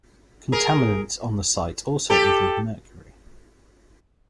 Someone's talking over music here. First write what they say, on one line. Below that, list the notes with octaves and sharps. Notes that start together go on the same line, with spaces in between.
Contaminants on the site also include mercury.
G#4 A#4
G4 A4